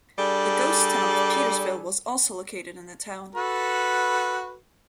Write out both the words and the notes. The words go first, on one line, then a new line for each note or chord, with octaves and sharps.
The ghost town of Petersville was also located in the town.
G3 D4 G#4 A4 D5
F#4 A4 B4